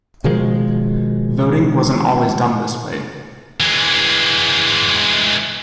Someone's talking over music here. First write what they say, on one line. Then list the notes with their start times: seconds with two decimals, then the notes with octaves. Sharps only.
Voting wasn't always done this way.
0.24 B2 D#3 F3 G#3
3.60 E3 G#3